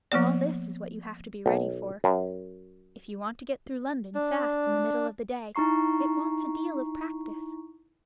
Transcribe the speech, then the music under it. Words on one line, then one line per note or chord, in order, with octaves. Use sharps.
All this is what you have to be ready for. If you want to get through London fast in the middle of the day it wants a deal of practice.
F3 A#3 B3 D5
B1
F#2
D4
D#4 E4 A#5 C#6 C7